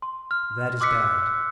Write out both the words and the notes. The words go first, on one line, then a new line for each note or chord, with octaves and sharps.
That is bad!
C6
F6
C6 D6 E6 F#6 B6 C#7